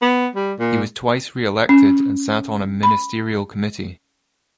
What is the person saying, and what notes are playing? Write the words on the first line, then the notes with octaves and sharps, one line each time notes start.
He was twice reelected and sat on a ministerial committee.
B3
G3
A#2
C#4
B5